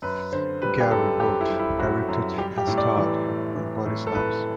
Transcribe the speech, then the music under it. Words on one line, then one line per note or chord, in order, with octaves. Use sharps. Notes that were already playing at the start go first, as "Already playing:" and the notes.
Gary wrote, directed and starred in Bodyslams!
F#2 B4
D3 C5
G3 B4
G4
F#2 A4
F#2 G4
E4
G3
E4
F#2 F#4
F#2
G3 G4
G4
A2
D5
E3
A2
E3
A2
A4
A2 B4